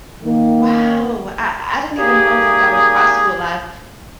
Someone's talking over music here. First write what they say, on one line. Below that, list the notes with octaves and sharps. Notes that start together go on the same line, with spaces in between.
Wow, I I didn't even know that that was possible. I've
D#3 A#3
G3 A#3 D#4 G4 G#4